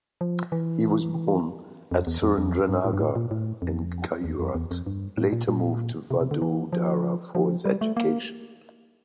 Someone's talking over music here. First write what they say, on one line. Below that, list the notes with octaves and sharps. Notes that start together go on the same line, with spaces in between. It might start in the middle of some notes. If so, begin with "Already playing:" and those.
He was born at Surendranagar in Gujarat, later moved to Vadodara for his education.
F3
E3
F2
E2
F2
F2
G2
A2
G2
A2
A#2
A2
F2
E2
F2
E2
F2
G2
A2
A#2
A#2
C3
C3
D3
E3
F3
F3
G3
A3
A#3